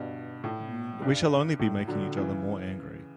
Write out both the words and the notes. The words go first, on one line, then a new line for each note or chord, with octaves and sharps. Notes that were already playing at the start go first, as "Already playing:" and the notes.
We shall only be making each other more angry.
Already playing: G2 B2
A2
G2
A2
D3 F#3
C#3 E3